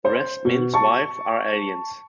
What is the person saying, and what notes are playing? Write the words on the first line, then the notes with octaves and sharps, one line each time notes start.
The rest men's wives are aliens.
C5
B2
A5 C#6